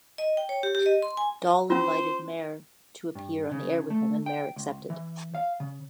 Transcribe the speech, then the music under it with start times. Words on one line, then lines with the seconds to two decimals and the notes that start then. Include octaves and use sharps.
Dahl invited Meier to appear on the air with him, and Meier accepted.
0.18 D#5
0.37 G5
0.49 C#5
0.63 G4
0.75 G4
0.86 D#5
1.02 C6
1.17 G#5
1.70 C#4 F4 C5
3.15 G2
3.51 C#3
3.90 A3
4.26 G5
4.56 C#2
4.90 E3
5.35 F5
5.60 C#3